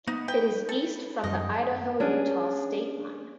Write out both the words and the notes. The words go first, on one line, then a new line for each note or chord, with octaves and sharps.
It is east from the Idaho-Utah state line.
B3 D#4
B4 G5
A4
F#2 D#3 D#5
C#4 D4 G#4